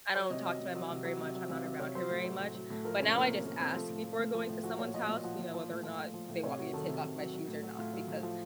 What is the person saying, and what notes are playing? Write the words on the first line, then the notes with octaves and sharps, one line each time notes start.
I don't talk to my mom very much. I'm not around her very much, but now I just ask before going to someone's house, you know, whether or not they want me to take off my shoes or not because
F#3 C#5
C3 D#5
F#3 D#5
C3
F#3
C3
F#3
C3
F#3
C3 F5
F#3
C3 C#5
F#3 C5
A2
F#3
A2
F#3
A2
F3 A#4
C3 C#4
F3 A#3
C3 A#3
F3 A#3
C3 C4
F3 A3
A2
F3
A2
F3
A2
F3 F#4
A#2 C#5
F3 D#5
A#2
F3 F#5
A#2 F5
F3
A2
F3
A2
F3
A2
C3 C#5
F#3 F#4
D#3 A4
C3
C3
F#3
F#3
A2
F#3
A2 F4
F#3
A2
F3